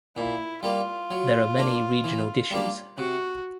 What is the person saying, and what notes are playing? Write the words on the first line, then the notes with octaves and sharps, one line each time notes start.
There are many regional dishes.
A#2 E4
G3 A#3 F4
F#3
A#3 D4
E3
G3 A#3 D4
C3 F#4